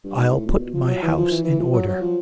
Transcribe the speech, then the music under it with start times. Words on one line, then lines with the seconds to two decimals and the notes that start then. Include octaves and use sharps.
I'll put my house in order.'
0.04 G2
0.17 G#2
0.31 A2
0.46 A#2
0.59 B2
0.74 F3
0.88 F#3
1.02 E3
1.16 F3
1.31 E3
1.44 E3
1.59 F3
1.73 F#3
1.88 F#3
2.01 F3